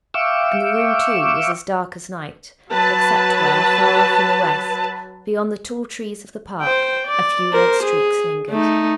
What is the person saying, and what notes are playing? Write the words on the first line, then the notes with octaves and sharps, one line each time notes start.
And the room, too, was as dark as night, except where far off in the west, beyond the tall trees of the park, a few red streaks lingered.
E5 F5 G5 C#6 D6 E6
F#3 B4 A5
C5 G5
D5
A#4 C5
G#4
A3 D#4